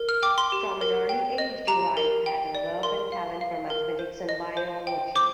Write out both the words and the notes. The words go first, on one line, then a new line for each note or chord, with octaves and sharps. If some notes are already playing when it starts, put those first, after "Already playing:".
From an early age Wright had a love and talent for mathematics and biology.
Already playing: A#4
F6
G5 D6
C6
G4
A#4
G5
D#5
G4 A#5
A#4
G5
D5
A#4 C6
F5
F5
A#4
C5
D#5
C5
G5
C5 D6